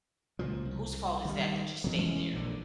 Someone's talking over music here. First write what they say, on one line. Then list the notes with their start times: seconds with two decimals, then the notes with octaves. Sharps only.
whose fault is that that you stayed there?
0.39 C#2 A#2 F3
0.65 C2
1.25 D#3 G3
1.84 B2 F#3
1.97 E1 E3 G#3 C#4
2.33 A#1 A#2 D3